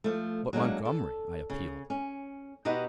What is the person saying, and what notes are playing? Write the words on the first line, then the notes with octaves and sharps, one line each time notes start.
"But, Montgomery," I appealed.
F3 A3
F#3 G#3 A#3 D4
A4
C#3
C#4
B2 D#4 G4 B4 D#5 F#5